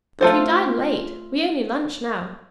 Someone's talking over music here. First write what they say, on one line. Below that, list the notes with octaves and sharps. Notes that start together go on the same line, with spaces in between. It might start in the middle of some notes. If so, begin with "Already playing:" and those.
But we dine late, we only lunch now.
A3 F4 C5